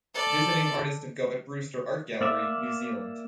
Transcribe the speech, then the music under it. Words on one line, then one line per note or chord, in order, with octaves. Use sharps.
Visiting Artist of Govett-Brewster Art Gallery, New Zealand.
A4 D5
A#3 D5 E5